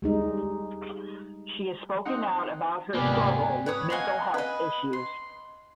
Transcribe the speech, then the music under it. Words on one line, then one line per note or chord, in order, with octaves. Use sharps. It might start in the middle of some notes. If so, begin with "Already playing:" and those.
She has spoken out about her struggle with mental health issues.
G3 G#3 D#4
C4 D#4 F#5
F1 G#2 A#3 B3 G4 D5 G#5
B4 C#5 D#6
D#5 F5 F#5 G#5
B4 D#5
C6